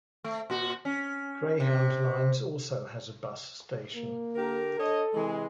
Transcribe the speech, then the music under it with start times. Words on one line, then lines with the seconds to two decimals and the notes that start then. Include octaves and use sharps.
Greyhound Lines also has a bus station.
0.24 A3
0.50 A#2 F#4
0.85 C#4
1.60 C3
3.96 A#3
4.35 D3 G4 A#4
4.79 D4 A4 C#5 D#5
5.14 C3 E3 G#3